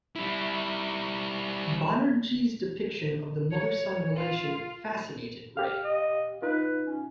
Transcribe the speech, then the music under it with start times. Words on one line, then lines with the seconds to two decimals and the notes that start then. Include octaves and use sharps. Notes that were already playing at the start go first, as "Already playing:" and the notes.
Banerjee's depiction of the mother-son relation fascinated Ray.
0.15 G3 E4
3.51 C#5
4.16 F4
5.57 G4 F5 F6
5.83 D#5
6.42 D#4 F4 B4
6.87 C#4